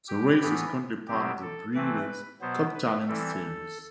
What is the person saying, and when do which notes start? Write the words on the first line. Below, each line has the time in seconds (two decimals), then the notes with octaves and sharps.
The race is currently part of the Breeders' Cup Challenge series.
0.08 G4
0.41 A2 E3 B3
1.08 B2 F#3 C4 G4
1.42 A4
1.74 E3 A3 C4 B4
2.41 B2 F#3 B3 C5
2.75 B4
3.08 E3 G3 C4 A4